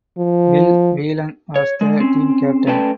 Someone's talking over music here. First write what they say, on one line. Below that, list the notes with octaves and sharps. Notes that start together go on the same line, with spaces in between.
Bill Whelan was the team captain.
F3
C#5
G#3
C4 C#4
A3 C#4 B4 D5 G5 A5